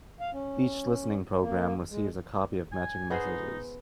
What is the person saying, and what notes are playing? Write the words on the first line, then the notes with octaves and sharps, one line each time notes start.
Each listening program receives a copy of matching messages.
F5
C#4
A#3
G#3
G#5
B3 D#4 G#4 C5